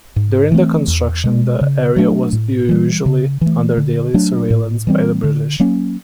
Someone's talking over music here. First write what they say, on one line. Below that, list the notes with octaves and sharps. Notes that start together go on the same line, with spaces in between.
During the construction, the area was usually under daily surveillance by the British.
G#2
E3 A3 C4
E2
B2 G#3
C#3
F#3 A3 D4
A2
E3 G3
C#3
E3 A3
D3
F#3 A3 D4
A2
E3 G3 C4
D3
F#3 A#3 C#4